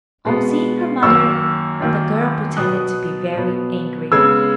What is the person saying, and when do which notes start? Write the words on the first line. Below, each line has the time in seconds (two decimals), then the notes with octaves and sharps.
On seeing her mother the girl pretended to be very angry.
0.25 B2 G#3 B3
1.03 F#2 D#3 A#3 C#6 E6
1.80 F#2 D#3 A#3
2.57 B2 F#3 B3 D#6 F#6
3.35 B2 F#3 B3
4.12 C#3 G#3 B3 E6 G#6